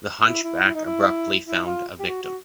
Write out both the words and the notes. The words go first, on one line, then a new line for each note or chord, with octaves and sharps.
The hunchback abruptly found a victim.
E4
E4
E4
D#4
E4
E4
F4
G4
F#4
F#4